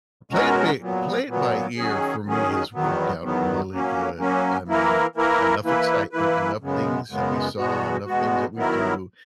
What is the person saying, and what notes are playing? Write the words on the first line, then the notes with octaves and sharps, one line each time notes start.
Play it bi play it by ear for me has worked out really good. I mean, enough excitement, enough things that we saw, enough things that we do,
B2 G#3 C#4 F#4 A#4
A#2 F#3 B3
A#2 F#3 B3
D#3 F#3 C#4 G#4
D#3 F#3 C#4 G#4
E2 D#3 F#3 B3
E2 D#3 F#3 B3
F#3 A#3 C#4
F#3 A#3 C#4
E3 A#3 E4 A#4
E3 A#3 E4 A#4
E3 A#3 E4 B4
E3 A#3 E4 B4
F#2 C#3 G#3 B3
F#2 C#3 G#3 B3
E2 B2 G#3 B3 F#4
E2 B2 G#3 B3 F#4
D#3 F#3 B3 E4 A#4